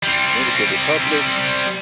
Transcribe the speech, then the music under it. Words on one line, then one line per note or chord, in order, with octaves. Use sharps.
Dominican Republic,
G3 C4